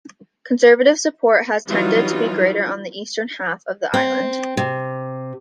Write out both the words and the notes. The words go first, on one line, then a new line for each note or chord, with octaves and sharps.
Conservative support has tended to be greater on the eastern half of the island.
E3 F#3 G3 D#4 F4
C4
C3